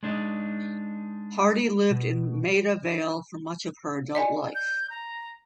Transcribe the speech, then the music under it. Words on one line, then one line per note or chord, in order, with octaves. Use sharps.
Hardy lived in Maida Vale for much of her adult life.
G#3 D4 D#4
B2
D5 D#5 G#5
G6
A#5